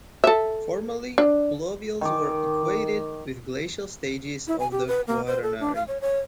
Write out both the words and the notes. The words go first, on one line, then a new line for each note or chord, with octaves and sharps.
Formally, pluvials were equated with glacial stages of the Quaternary.
A4 E5
D4
D#3 D6
E4
G#5
G4
B4
A#3
C5
A4
D4
F5
C#5
C#5